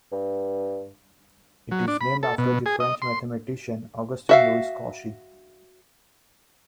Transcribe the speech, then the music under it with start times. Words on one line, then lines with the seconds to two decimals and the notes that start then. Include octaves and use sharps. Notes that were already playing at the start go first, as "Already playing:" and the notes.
It is named after the French mathematician Augustin Louis Cauchy.
0.12 G2
1.71 F#3
1.88 D4
2.01 B5
2.23 A4
2.38 B2
2.66 G#4
2.80 D#5
3.02 C6
4.29 F#4 E5 F5